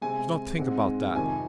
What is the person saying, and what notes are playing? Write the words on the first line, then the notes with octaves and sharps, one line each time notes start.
Do not think about that.
C3 G#3 C4 G#5
G#2 G#3 C4
F2 C3 D#3 G#5